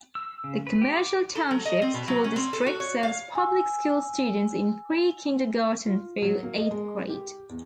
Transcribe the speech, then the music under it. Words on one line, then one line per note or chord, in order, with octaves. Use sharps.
The Commercial Township School District serves public school students in pre-kindergarten through eighth grade.
E6
C#3
B4
G4
D6
A4
F#3
D#5
C4
B2
F#3
C#4
C4
A4
F#4
C#5
F5
G#5 E6
F4
F#3
A#3
D#5
G#3
G4
E2